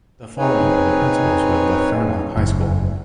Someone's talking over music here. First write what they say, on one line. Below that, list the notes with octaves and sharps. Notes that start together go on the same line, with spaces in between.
The following are the principals who have led Fairmont High School.
C4 D#4 G#4 B4 C#5 G#5
F#1